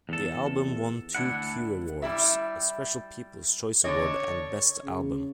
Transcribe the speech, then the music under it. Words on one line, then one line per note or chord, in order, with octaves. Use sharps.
The album won two Q Awards: a special People's Choice Award and Best Album.
E2 A4
D2 D4 E4 F#5
G3 E4 E5
D3 D4 C#5 D#5
C#3